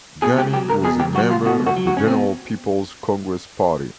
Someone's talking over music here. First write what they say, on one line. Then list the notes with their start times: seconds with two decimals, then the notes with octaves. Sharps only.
Ghani was a member of the General People's Congress party.
0.22 B2 G#4
0.38 C#2 G4
0.53 F#3 G4
0.69 C#2 A#4
0.84 B2 G#4
0.99 C#2 G4
1.15 F#3 F#4
1.30 C#2 F4
1.46 B2 F#4
1.61 C#2
1.67 F#4
1.77 F#3
1.87 F#4
1.92 C#2
1.97 C#4
2.07 B2 C4